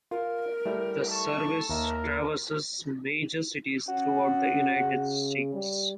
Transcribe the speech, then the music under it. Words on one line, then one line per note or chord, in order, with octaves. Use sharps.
The service traverses major cities throughout the United States.
F4 A#4
G3 A3 E4
A4 A5 C#6
D#2 A#4 E5
C#4 F#4
C#3
G3